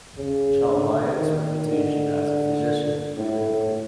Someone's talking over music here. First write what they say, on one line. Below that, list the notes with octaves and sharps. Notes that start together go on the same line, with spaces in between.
Chauliac's reputation as a physician grew quickly.
C#3
D3
D#3
D3
A2